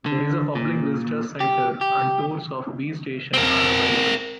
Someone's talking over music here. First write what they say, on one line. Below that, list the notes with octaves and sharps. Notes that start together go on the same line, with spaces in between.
There is a public visitors centre and tours of 'B' station are available.
D3
A#2
G4
G4
C4 A#4